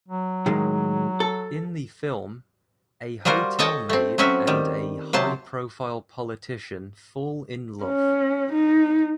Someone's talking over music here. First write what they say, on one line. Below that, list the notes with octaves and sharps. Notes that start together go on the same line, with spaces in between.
In the film, a hotel maid and a high profile politician fall in love.
F#3
A2 D#3 G#3
A4
G3 F4 F#4 A#4 C5
A4 C#5 D#5 G5 A5
A3 C4
F#3 C4 C#4 F#4 E5
D#3 G3
C3 F#3 C5 A5
C#4
D#4